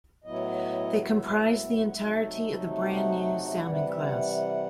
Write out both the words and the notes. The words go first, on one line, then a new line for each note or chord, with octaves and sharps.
They comprised the entirety of the brand-new "Salmon" class.
A2 F#3 B3 E4 D#5
E5
F#5
C3 F#3 A3 D#4 E5
F#5
C3 E3 G3 F#5
F#5
E5
F#5